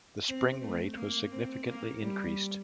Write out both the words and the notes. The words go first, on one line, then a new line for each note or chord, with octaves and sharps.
The spring rate was significantly increased.
C4
A3
A#3
C4
A#3
G3